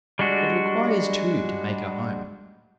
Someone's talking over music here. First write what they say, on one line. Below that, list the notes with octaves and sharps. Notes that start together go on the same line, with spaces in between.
It requires two to make a home.
G3 G#3 D4 F#4